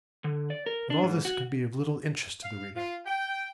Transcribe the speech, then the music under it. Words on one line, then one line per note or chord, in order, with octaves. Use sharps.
But all this can be of little interest to the reader.
D3
D5
A#4
D4
G#2
F#4
F5
F4
G5